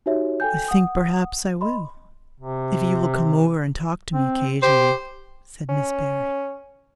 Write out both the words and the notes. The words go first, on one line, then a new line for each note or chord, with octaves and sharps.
"I think perhaps I will if you will come over and talk to me occasionally," said Miss Barry.
D#4 F#4 G4 C#5 E5
A4 G5 G#5 G6
F#5 D#6
D#5 B5 C6
C3
C4
G4 C5
C#4